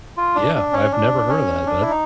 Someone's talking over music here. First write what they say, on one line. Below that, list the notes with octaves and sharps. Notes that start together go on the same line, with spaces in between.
Yeah, I've never heard of that, but,
F4
D4
D4
C#4
D4
C#4
D4
E4
D#4